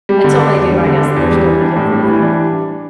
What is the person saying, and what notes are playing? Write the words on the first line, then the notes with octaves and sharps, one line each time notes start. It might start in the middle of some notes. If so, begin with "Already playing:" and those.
until they do, I guess they're still the kids of the family.
G3
D3
D4
E2
G3
D3
D4
E2
G3
E3
D4
A2
G3
E3
D4